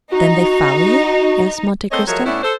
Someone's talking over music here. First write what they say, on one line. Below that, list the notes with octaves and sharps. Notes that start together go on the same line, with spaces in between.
"Then they follow you?" asked Monte Cristo.
D#4 F#4
A#3 C4 A4 C5 C#5 D#5
F3 F#3 G#3 A3 A#4 C#5
A2 B3 C#4 D4 E4
A4 C5